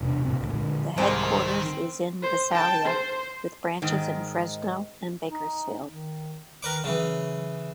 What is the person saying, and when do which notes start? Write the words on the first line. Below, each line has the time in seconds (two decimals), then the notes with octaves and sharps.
The headquarters is in Visalia with branches in Fresno and Bakersfield.
0.01 E1 C3 D4
0.25 C#2 A2 C3 C4
0.40 D2 A#2
0.54 A#2 D3 G#3
0.98 C2 G#2 D#3 C4 G#5
2.23 C5
2.53 G5 A5
2.86 C5
3.82 G#2 D#3
5.29 D#4
5.87 D#3
6.63 D#3 A#4 B4 D6
6.84 C#3 E3 F#3